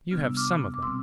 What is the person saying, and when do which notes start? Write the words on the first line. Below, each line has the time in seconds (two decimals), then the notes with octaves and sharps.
You have some of them.
0.11 C3 G3 B3 D4 F6
0.24 E6
0.37 D6 F6
0.74 D6
0.82 B2 G3 C4 C6 E6